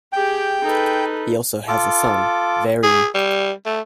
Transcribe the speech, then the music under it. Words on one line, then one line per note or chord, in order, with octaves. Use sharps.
He also has a son, Varian.
G4 G#4 G5
D#4 A4 B4
F4 A4 D6
G#4
G3
A3